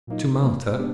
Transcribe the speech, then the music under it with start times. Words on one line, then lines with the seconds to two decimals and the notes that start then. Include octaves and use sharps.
"To Malta?"
0.07 A#2 F#3 A#3 D#4
0.43 C3 E3 G3 A#3
0.78 G#3 B3 D4 G4